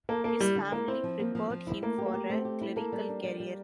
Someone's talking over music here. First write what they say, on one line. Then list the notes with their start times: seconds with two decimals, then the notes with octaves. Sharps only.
His family prepared him for a clerical career.
0.09 A#3 A4
0.24 A#3 A4
0.40 G3 E4
0.56 D3
0.72 A#3 E4
0.88 C4 E4
1.04 F3
1.19 A#3
1.35 F3
1.50 F3
1.67 E4
1.82 A3 A#3
1.98 G4
2.06 A#3
2.14 G4
2.30 A3 C4
2.45 G4
2.61 E4
2.76 A#3 A4
2.92 G3
3.09 D4
3.24 G3
3.40 G3